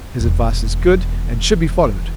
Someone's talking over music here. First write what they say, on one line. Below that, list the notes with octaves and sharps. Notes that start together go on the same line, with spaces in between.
His advice is good, and should be followed.'
E1 E2